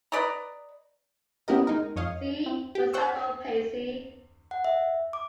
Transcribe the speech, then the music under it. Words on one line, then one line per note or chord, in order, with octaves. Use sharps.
See, for example, Pacey.
B4 D5 D#5 A#5
B3 C#4 E4 G4 A#4 D#5
G#3 D#4 A#4
F2 C#5 D#5 F5
C4
G4
C5 F#5 G5 C#6 E6
F#5
E5
D6